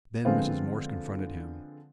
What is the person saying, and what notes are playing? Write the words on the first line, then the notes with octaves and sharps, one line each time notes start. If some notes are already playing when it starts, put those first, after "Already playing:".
Then Mrs. Morse confronted him.
D3 F3 G#3 B3 C4 F4